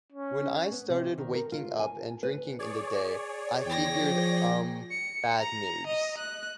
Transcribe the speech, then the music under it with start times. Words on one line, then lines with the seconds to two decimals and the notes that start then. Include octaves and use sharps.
When I started waking up and drinking in the day, I figured-umm, bad news.
0.12 C#4
0.72 B3
0.89 C3
1.18 D#3
1.34 A#4
1.52 F4
1.79 G#5
2.23 B4
2.59 G#4 C#5 D5
3.65 E2 G5 A#6
4.00 F3
4.91 C#7
5.39 A#5
5.87 D#5
6.18 F#6